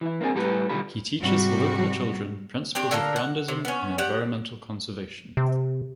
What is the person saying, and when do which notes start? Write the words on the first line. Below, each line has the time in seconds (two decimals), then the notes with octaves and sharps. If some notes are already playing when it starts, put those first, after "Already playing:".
He teaches the local children principles of Gandhism and environmental conservation.
0.01 E3 E4
0.21 A#3 C4 D4 G#4
0.35 A2 G3 G4 A4 B4 B5
0.69 B1 D3 D#3 G3 F4 B5
1.19 G#2 C3 G3 F#4
2.75 C4 D4 G4
2.91 D3 A#3 A4 A#4
3.16 F#5
3.48 C3
3.65 B3 C#4
3.98 G4 D5 F#5
5.37 C3